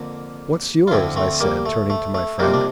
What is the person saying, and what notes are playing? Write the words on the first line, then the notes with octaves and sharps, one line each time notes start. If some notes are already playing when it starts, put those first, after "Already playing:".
"What's yours?" I said, turning to my friend.
Already playing: F2 D3 A#3
F4
D2 D3 F3 C4 E4
A3 C4
G3 A#3
A3
A3
A3
F2 C3 F3 G3 A#3
D4